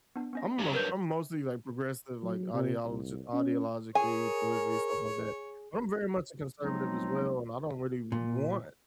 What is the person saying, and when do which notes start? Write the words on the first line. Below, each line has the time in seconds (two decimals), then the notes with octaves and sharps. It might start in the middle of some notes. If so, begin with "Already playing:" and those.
I'm m I'm mostly, like, progressive, like, ideolog ideologically, politically, stuff like that, but I'm very much a conservative as well and I don't really want,
0.16 B3 D4
0.33 B3 C#4 D#5
0.59 G2 F#3 G4
0.74 A#4 B4 G6
2.23 F#3
2.53 C3
2.85 C2
3.33 C#4
3.95 G#4 A#4 C#5 G#5
6.60 F3 F#3 G#3 B3 C4 D#4
8.12 A#2